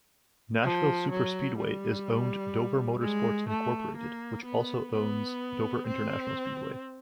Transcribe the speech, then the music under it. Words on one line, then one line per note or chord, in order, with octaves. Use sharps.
Nashville Superspeedway is owned Dover Motorsports Incorporated, which also owns Dover International Speedway.
F3
F#3
G3
G#3
A3
A#3
B3
B3
C4